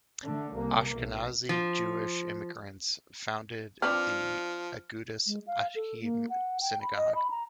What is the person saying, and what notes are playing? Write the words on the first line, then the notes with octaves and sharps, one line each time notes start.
Ashkenazy Jewish immigrants founded the Agudas Achim Synagogue.
D3 A3
C2 A#3
B1
F3
F3 C4 D4 B4 F6
G#3
F5
A4
A#3
F#5
G5
B5
D#5
B5
A#5